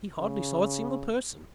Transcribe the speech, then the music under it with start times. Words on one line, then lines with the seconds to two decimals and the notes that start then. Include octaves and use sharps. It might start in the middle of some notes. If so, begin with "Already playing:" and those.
He hardly saw a single person.
0.18 C#3